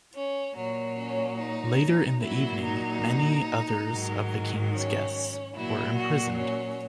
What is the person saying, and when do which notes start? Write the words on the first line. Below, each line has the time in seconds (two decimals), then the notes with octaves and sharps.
Later in the evening, many others of the king's guests were imprisoned.
0.15 C#4
0.56 A#2 F#3
0.98 C#4
1.39 D#4
2.22 A#2 F#3 E4
2.64 D#4
3.89 G#2 D#3 F#3
4.72 C#4
5.56 A#2 F#3 E4
5.97 F#4
6.39 C#4